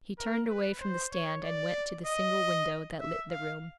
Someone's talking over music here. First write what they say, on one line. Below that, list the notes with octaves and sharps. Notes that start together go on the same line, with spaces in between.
He turned away from the stand and went to the single window that lit the room.
A#4
B4
C5
C#5
D5
D#5
E5
F5